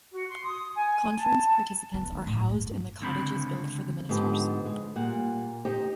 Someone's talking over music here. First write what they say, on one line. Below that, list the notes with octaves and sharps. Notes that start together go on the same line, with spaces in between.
Conference participants are housed in the cottages built for the ministers.
F#4
C6
D#6
G#5
A5
B3
D#3
A2
G2
C#2 D3 C4 B5
G#2 D3 F3 B3 G4
G#3
A#2 G3 F#5
D#4 G4 C5 D#5 G5